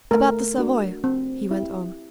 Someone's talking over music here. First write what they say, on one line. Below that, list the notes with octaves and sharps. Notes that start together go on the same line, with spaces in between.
"About the Savoy," he went on.
A3 A#4
D4 F#4
C4
E4 G4